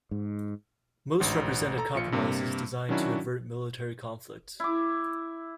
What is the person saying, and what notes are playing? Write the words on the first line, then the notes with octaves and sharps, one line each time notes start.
Most represented compromises designed to avert military conflict.
G#2
A1 D2 G#2
A4 A#5
A#1 F4 C#7
G2 C3 A#3
D#3 F#3 C#4 D4 E4 F#4
E4 D6